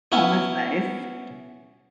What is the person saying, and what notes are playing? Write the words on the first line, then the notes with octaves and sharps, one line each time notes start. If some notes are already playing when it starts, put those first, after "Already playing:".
Oh, that's nice.
B3 C#4 E4 C#5